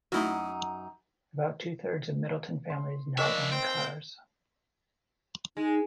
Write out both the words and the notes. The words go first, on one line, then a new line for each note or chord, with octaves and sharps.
About two-thirds of Middletown families now own cars.
F#2 A3 D#4 E4 F#4
C6
F3 D4 A#4 D#5 E5 C#6
C4 G5
G#3 D#4